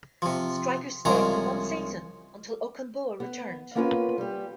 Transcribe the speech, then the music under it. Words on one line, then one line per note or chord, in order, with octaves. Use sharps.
Stryker stayed for one season until Okungbowa returned.
C3 F3
C2 C#3 F3 G#3 A#5
B3
A#3 B3 C#4 F4 A#4 B4
G3 G4